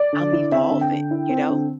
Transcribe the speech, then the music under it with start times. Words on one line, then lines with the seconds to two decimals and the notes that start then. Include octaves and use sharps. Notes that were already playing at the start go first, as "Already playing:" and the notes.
I'm evolving. You know?
Already playing: D5
0.13 D3
0.32 E4
0.51 C4 E5
0.71 D3
0.81 G5
0.91 D3
1.11 E4
1.29 C4
1.50 D3